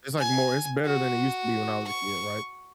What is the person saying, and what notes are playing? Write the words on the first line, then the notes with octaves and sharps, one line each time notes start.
it's, like, more it's better than it used to be when I was a kid, right,
G#5
F#4
C#6